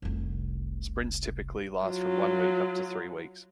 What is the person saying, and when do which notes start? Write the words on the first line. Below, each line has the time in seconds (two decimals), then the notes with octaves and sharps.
Sprints typically last from one week up to three weeks.
0.02 F1 C2
1.85 F#3 F4